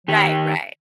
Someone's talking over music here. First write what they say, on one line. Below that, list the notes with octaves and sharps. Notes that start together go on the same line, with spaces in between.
Right, right.
D#3 G4